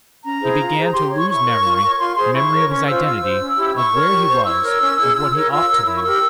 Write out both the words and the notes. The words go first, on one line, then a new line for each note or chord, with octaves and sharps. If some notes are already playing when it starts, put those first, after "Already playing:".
He began to lose memory--memory of his identity, of where he was, of what he ought to do.
C#4 A#5
E4 G#4 C5
F4
G#4 C5
G4 C6
C#5
C#6
E4 C#6
A#4 C#5
F4
A#4 C#5
F4 C6
G#4 C5 C6
E4 C#6
A#4 C#5
C#4 C#6
F4 C5 E6
F4 E6
C5
C#4
E4 G4
E4 C#6
A#4 C#5
G4
C5
E4 E6
A#4 C#5
C#4
E4 G#4
F4
A#4 C#5
F4 E6
A#4 C#5
E4 E6
C#6
G4 A#4 E6